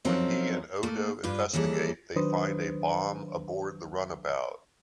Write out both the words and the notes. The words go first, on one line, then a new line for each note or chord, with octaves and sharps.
When he and Odo investigate, they find a bomb aboard the runabout.
F3 F#3 C4 C#4 D#4 A4
A3 A#3
G2 D4 F4 B4
D#2 E3 G3 G#4 A4
D#3 F#3 D4 B4 C5 D#6